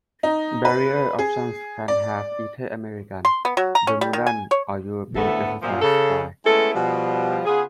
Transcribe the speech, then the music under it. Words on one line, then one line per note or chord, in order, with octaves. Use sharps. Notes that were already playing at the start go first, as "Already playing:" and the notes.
Barrier options can have either American, Bermudan or European exercise style.
D#4
B4
G#4
D5
C6
B3
F#3
A#5
C#4
G3
D#3
G#5
C#5
D2 A2 A3 B3 A4 E5
F#2 A#2 F3
C#3 A4
G#3 A3 B3 C#4 E4 A4
B2 F3 G3
C#3 B3 F4 G#4